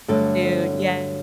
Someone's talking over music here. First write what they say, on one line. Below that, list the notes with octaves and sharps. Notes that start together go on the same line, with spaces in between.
Dude, yeah.
G2 D3 F#3 A3 A4